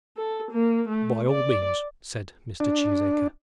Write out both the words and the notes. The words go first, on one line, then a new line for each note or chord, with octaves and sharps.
"By all means," said Mr. Cheesacre.
A4
A#3
A3
D5
D4